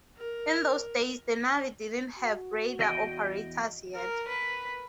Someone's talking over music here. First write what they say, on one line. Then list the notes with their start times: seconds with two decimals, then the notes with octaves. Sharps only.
In those days the Navy didn't have Radar Operators yet.
0.17 A#4
2.18 F#4
2.79 E2 D#5 G5
3.95 A#4
4.28 B4